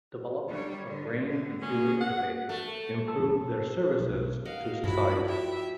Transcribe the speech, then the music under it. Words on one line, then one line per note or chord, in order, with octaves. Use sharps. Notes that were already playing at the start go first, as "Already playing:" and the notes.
Development of brain-computer interfaces improved their services to society.
F#3 G3 C#5
D3
A2 D3
A#3 C#4 G#4
F#5
A3
A4
B1
A#4 D#5 F5 F#5
G2 F3 F#3 E4 F#4 B5
E4 G4 E5